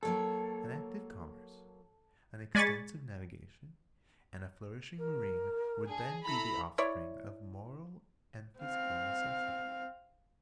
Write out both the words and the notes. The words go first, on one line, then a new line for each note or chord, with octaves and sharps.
An active commerce, an extensive navigation, and a flourishing marine would then be the offspring of moral and physical necessity.
F#3 A#3 A4 C#5
G#3 D5 G#5 B5 C#6 A6
A#4
D4 G#4
E4 A4 A#5 B5
E4 C#5 D5
C4 F5